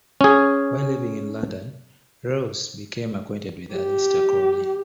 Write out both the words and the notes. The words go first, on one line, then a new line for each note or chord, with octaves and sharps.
While living in London, Reuss became acquainted with Aleister Crowley.
C#4 G#4
G4